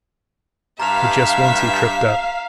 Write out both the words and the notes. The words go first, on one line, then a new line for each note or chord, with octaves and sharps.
But just once he tripped up.
G2 E5 F5 A#5 F6 B6 F7